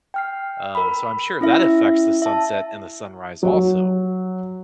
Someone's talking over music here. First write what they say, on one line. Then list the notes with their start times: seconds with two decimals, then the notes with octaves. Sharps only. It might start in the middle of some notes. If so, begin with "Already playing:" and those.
Um, so I'm sure that affects the sunset and the sunrise also.
0.14 G5 F6 C7
0.75 A#4 B5
1.41 C#4 E4 E5
2.22 E5 A5
3.43 F#3